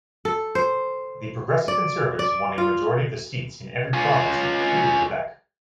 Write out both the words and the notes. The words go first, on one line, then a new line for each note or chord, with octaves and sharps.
The Progressive Conservatives won a majority of the seats in every province, including Quebec.
A4
C5
D5
D5
F4
C#4 F4